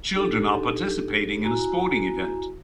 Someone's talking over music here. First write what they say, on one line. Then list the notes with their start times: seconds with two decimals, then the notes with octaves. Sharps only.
Children are participating in a sporting event.
0.15 D4 D#4 G4 A4
1.44 E4 F#4 G#5 A#5